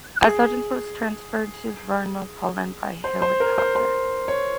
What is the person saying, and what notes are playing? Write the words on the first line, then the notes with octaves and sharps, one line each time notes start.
A surgeon was transferred to "Verna Paulin" by helicopter.
G#4
C5
C5
A#4
C5
C5
C#5